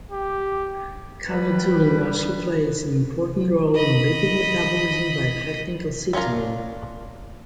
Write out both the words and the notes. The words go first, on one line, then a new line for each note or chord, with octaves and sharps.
Calmodulin also plays an important role in lipid metabolism by affecting Calcitonin.
G4
G3 B4
D#5 B5
G3 C#4 D4 F4 A#4